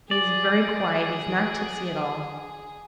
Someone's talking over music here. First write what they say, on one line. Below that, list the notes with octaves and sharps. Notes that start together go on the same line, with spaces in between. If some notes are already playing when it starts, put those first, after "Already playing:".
He is very quiet--he is not tipsy at all.
G#4 D5